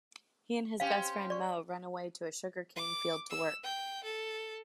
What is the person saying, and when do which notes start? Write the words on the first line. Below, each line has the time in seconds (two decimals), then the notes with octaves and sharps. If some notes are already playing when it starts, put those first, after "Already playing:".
He and his best friend Moe run away to a sugarcane field to work.
0.80 C4 C#4 G4 F5
1.30 D5 C#6
2.76 D6
3.30 E6
3.63 G5
4.04 A4